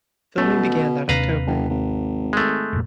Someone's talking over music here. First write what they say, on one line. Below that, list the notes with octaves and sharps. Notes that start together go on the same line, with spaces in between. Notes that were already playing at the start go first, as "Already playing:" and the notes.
Filming began that October.
B2 A3 C#4
D#2 C3 D4 B4 F5 A#5
F#1
G#1
G#3 A3
F1 A#2